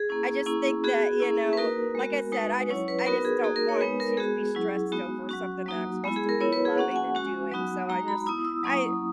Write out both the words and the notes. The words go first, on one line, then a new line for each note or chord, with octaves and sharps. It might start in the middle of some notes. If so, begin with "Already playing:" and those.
I just think that you know, like I said, I just I just don't want to be stressed over something that I'm supposed to be loving and doing, so I just I
Already playing: G#4
A#3 C#4 E4
A#3 C#4 E4
B3 F#4 G#4
A#3 C#4 E4
B4
A#3 D#4 F#4 A#4
G#3 B3 F#4
G#3 D#4 F#4 B4
F#3 C#4 E4 C#5
B4
B4
B3 D#4 F#4 A#4
G#4
A#3 D#4 F#4 G#4
A#4
C#5
G#3 B3 D#4 B4
A#4
G#3 B3 F#4 G#4
F#3 C#4 E4
G#3 B3 D#4 F#4
F#3 C#4 F#4
F#3 A#3 D#4 F#4
G#3 B3 E4
G#4
A#4
B3 E4 C#5
B4
G#4
A#3 C#4 F#4 F#5
F#5
G#5
G#3 C#4 F#4
F#3 B3 D#4 F#4
G#3 D#4 F#4 A#5
B5
B3 E4 D#6
E6
F#3 A#3 C#4 E4 D#6